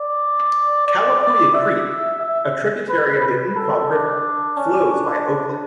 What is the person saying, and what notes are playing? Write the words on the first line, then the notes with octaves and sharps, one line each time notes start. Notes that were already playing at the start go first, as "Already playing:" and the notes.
Calapooya Creek, a tributary of the Umpqua River, flows by Oakland.
Already playing: D5
D5
D5
E5
E5
B4
B4
A4
D4
C#4
D4